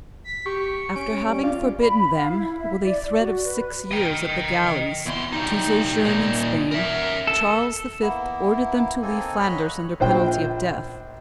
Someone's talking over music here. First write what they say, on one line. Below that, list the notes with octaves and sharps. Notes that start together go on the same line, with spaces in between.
After having forbidden them, with a threat of six years at the galleys, to sojourn in Spain, Charles V. ordered them to leave Flanders under penalty of death.
B6
G4 C#6
C#4 D7
G3 C#4
F4 D5
B5
F5
E4
E5
D5
F#4
B4
D#5 G5
E2 C6
G3 D#4
A#2 D#4
A#4 E5
A4
A#3 B3 E4
A#3 C4 D#4 A4 G#5
C#5 D#5 B5 F6 F#6
A#1 C5 G5